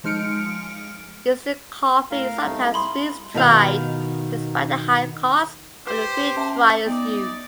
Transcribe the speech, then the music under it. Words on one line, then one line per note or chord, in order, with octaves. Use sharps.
Instant coffee is sometimes freeze-dried, despite the high costs of the freeze-driers used.
F3 G#3 D#4 F6 C#7 D7
A2 A#4 F5
C2 A3 D#4
C2
G#4 B5 C6
B2 D#3 F5
G4 B4 C5
C#4 E5 A5
B3 D#4 D5